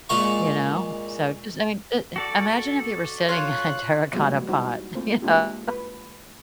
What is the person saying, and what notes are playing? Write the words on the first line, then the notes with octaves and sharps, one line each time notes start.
you know? So, just I mean, j uh, imagine if you were sitting in a terracotta pot, you know?
A#2 G#3 F5 C6 C#6
F#4 A4 D5
F4 C#5 F5 F#6
F3 G3 G#3 A#3 B3 F#4
G3 D#4 E4 F#4 C5
A3 A#3 C4 F4 C5
G#3 A#3 D4 F4 G4
B4